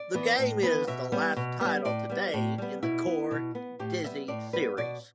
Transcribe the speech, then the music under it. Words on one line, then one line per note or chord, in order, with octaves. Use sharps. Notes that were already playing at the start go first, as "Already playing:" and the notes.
The game is the last title to date in the core "Dizzy" series.
Already playing: D5
E3 B3
A2
E3 B3
B2 E5
G3 B3
B2
G3 B3
A2 D5
G3 B3
A2
G3 B3
B2 E4
B3
B2
B3
A2 G4
G3 B3 E5
A2 D5
G3 B3 B4
B2 D5